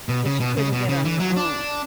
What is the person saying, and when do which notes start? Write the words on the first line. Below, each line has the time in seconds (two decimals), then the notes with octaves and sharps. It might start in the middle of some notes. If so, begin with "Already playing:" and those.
that you couldn't get on your own.
0.09 B2
0.25 C#3
0.40 B2
0.57 C#3
0.73 B2
0.89 C#3
1.05 E3
1.20 F#3
1.37 D4